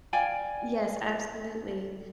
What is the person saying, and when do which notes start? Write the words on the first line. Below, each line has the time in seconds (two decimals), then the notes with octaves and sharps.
yes, absolutely.
0.13 D5 F5 G5 G#5